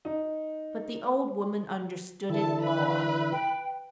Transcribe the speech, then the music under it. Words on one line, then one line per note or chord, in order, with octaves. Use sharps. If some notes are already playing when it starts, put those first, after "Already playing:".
But the old woman understood it all.
D#4
D3 E3 E4 A4 A5
B4 B5
G5